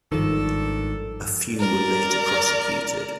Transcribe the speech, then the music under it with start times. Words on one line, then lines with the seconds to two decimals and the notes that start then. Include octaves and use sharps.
A few were later prosecuted.
0.12 G#1 G2 D#3 F3 D4 A4
1.58 A#4 D5